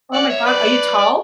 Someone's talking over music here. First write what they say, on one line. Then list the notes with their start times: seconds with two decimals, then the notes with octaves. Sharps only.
Oh my God, are you tall?
0.13 D5 F#5
0.29 C#5 E5
0.45 B4 D5
0.98 D5